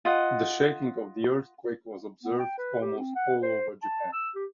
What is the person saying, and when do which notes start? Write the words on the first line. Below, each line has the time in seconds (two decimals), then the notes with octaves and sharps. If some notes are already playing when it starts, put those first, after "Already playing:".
The shaking of the earthquake was observed almost all over Japan.
0.05 F4 D#5 F#5
2.23 B3
2.39 G5
2.58 B4
2.82 G4
2.98 C4
3.16 F#5
3.42 C5
3.83 A5
4.13 E6
4.35 G4